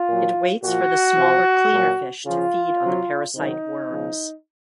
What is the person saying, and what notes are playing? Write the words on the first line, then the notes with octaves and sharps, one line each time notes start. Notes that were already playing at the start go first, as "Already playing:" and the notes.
It waits for the smaller cleaner fish to feed on the parasite worms.
Already playing: F4
A#2 F#3
A#2 F3 F#4
C3 F3
A#2 F#3
C#3 F3 F4
C3 F#3
C3 D#3 F#3 D#4
C#3 F3